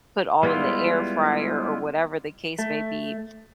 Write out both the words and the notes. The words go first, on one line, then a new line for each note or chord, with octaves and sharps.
put all in the air fryer or whatever the case may be.
G3 G#3 B3 E4 F4
A3